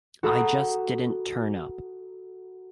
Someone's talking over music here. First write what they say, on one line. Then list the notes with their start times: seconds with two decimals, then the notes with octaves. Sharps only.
I just didn't turn up.
0.23 F#4 A4 A#5 B5 D#6